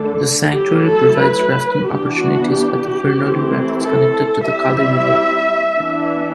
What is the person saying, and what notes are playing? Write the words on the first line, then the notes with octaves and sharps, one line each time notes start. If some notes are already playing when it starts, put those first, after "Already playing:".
The sanctuary provides rafting opportunities at the Virnoli Rapids connected to the Kali River.
Already playing: D3 A3 D4 A4
F#3 A3 E4 G4
A4
B4
E3 B3 D4 G4
F#4
G4
E3 A3 C4 E4
A4
G3 C4 E4 E5
E3 B3 D4